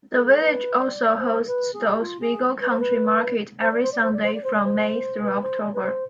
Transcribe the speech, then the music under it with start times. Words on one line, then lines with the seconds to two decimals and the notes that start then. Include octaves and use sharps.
The village also hosts the Oswego Country Market every Sunday from May through October.
0.12 A4
0.40 B4
0.80 D5
1.19 C5
1.41 A4
1.47 B4
1.73 G#4
1.95 G#4
2.01 F4
2.20 G#4
2.61 B4
2.70 C5
2.80 B4
3.61 C5
3.72 D5
3.82 C5
3.92 D5
4.02 C5
4.13 D5
4.23 C5
4.34 D5
4.44 C5
4.54 D5
4.65 C5
5.22 B4
5.42 C5
5.63 D5
5.74 B4
5.83 C5